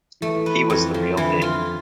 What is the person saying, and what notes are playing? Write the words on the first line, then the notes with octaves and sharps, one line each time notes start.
He was the real thing.
E3 A3
B4
F2
F3
D3 E3
F4